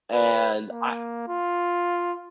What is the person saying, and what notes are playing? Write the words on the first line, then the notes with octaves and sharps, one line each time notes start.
And I
B4
A#3
F4